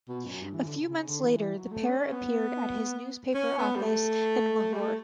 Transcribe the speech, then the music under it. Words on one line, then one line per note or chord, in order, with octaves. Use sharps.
A few months later the pair appear at his newspaper office in Lahore.
B2
F#2
G2
E3
D3
C#3
C#3
D3
E3
E3
F#3
A3
C#4
B3
C#4
B3
G3
A3
G3
A3